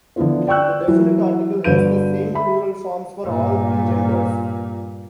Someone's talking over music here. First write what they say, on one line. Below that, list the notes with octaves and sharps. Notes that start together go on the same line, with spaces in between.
The definite article has the same plural forms for all three genders.
D3 F3 B3 E4 F4 C5
D5 G5 C#6 E6 F#6
E3 F#3
G1 D3 F#4 B4 G6 D#7
G#4 E5 B5
G2 A#2